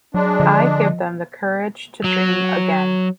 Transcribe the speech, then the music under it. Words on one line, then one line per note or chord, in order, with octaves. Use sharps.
I give them the courage to dream again.
F#3 G#3 D4
D3 F3 D#5
F#3